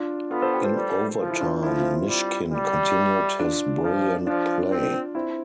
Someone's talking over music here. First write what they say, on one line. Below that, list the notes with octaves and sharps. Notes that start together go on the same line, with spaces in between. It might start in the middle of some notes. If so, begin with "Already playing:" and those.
In overtime, Myshkin continued his brilliant play.
Already playing: D4 F4
B3 F4 A4
A4 C5
G4 B4
A4 C5
G3
F3 F4
E4
D4 F4
F3 E4
F4
C4 E4
G3
G3
D4 F4
F3
F3 D4 F4
C4
C4 E4